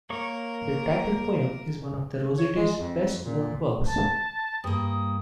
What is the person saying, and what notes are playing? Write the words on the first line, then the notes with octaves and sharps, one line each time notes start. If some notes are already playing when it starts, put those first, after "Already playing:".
The title poem is one of Rossetti's best known works.
A#3 A#4 C#5 C#6
C#5
G#3
F2
A#2
A5
G2 A#3 D#6
D#6